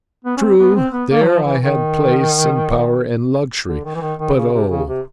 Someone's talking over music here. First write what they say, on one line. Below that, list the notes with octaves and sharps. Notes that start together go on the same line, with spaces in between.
True, there I had place and power and luxury, but oh!
B3
C#4
C4
B3
C4
B3
A#3
F#3
F3
E3
D#3
D3
D#3
E3
D#3
D#3
C#3
C3
C#3
C3